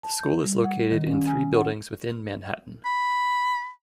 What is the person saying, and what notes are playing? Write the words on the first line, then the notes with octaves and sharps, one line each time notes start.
The school is located in three buildings within Manhattan.
A5
G6
G3
F#5
D#3
C#4
G#5
F#5
B5